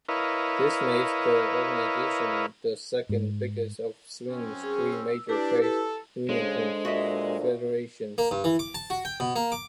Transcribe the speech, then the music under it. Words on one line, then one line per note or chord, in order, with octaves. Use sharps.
This makes the organization the second biggest of Sweden's three major trade union confederations.
E4 A#4 B4 C#5 D#5 F5
G#2
F#2 C4 C#4
G#4
E6
D4 E4 G4 B4
A4
C#3 G#3 D4 A4 C5
A#2 F#4 D#5 E5
A#3
G2
E3
D6
A5
F#4
G5
B2
A#3
D6